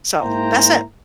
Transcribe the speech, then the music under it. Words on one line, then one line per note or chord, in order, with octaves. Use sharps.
So, that's it.
G#2 A#3 E4 C5 G5 A#5